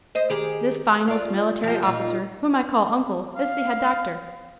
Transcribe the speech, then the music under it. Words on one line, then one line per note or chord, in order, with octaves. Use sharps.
This fine old military officer whom I call uncle is the head doctor.
C5 D#5
D#3 G4 G#4
F4 D5
F3 G4
A#2 D#4 F4
F5